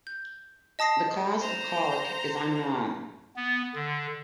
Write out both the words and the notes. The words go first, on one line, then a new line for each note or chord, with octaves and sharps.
The cause of colic is unknown.
G6
D#5 A5 D#6 A#6 C7
C5 A#5
B3
D3